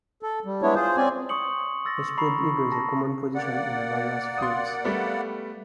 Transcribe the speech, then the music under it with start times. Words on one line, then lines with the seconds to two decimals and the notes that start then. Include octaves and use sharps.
A spreadeagle is a common position in various fields.
0.23 A4
0.45 G3
0.62 G#3 B3 D4 E4 C#5
0.75 F4 G#4 C5
0.97 C4 C#4 D5 G#5
1.29 C6 C#6 D#6 C#7 F#7
1.85 C6 E6 A6 A#6
2.18 A#5 B5 C#6 C7
2.72 A5 A#6
3.35 A#3 D5 F#5
4.38 C6 D#6
4.84 G3 A3 B3